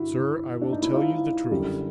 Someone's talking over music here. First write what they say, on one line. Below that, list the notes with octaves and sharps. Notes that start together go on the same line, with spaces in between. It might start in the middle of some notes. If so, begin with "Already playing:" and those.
'Sir, I will tell you the truth.
Already playing: G2 D3 E4 F#4
D4
D#4
E4
D#4 F4
F#2 D3 G3